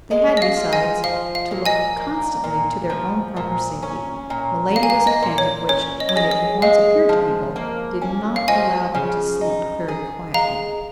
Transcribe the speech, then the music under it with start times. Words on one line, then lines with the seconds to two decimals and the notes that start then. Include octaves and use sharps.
They had, besides, to look constantly to their own proper safety; Milady was a phantom which, when it had once appeared to people, did not allow them to sleep very quietly.
0.11 G#3
0.37 D#5
0.42 F5
0.57 F4
0.73 D#5 G#5
1.04 F3 F5
1.35 F5
1.51 A#2
1.66 D#5 G#5
1.97 A#3
2.44 A#2
2.90 F3
3.37 A#2
3.83 C#4
4.30 A#2
4.76 A#3 F5
4.83 G#5
4.90 F5
5.07 D#5
5.22 A#2
5.38 C#5
5.69 C#4 C#5
6.00 D#5
6.09 C#5
6.16 G#4 D#5
6.31 D#5
6.62 G#3 F5
7.09 F3
7.56 A#3
8.02 C#4
8.36 F5
8.48 F3 D#5 G#5
8.95 C#3
9.41 D#4
9.88 G#4
10.34 G#3 F5 A#5